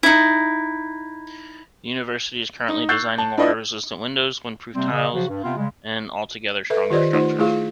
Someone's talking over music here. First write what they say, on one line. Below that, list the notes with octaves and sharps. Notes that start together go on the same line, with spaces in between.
The university is currently designing water-resistant windows, wind-proof tiles and altogether stronger structures.
D#4 E4
D#4
C#6 E6 F#6 G6 A6 C7
A5
D4 E4 F4 B4 D5 D#5
C3 G3 A#3 C4
C#3 D#5
C#3 F3 F#3 F#4
G2
C3 B3 C4 F4
C#3 G3 G#3
A4 B4 E5
D#3 F4 G4 C5 D5 D#5
A3 D#4 F4 C5
A3 E4 F4 G#4 F5